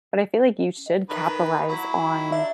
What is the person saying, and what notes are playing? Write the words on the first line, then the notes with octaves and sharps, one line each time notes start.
but I feel like you should capitalize on
D#3 B4
F#3 E4
D4 E5